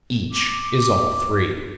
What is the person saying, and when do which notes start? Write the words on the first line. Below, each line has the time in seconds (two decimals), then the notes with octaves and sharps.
Each is all three.
0.32 D6